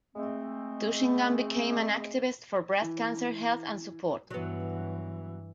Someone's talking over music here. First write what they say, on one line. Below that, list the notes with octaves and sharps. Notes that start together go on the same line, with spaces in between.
Tushingham became an activist for breast cancer health and support.
G#3 A3 C4
E3
G2 E3 F#3 B3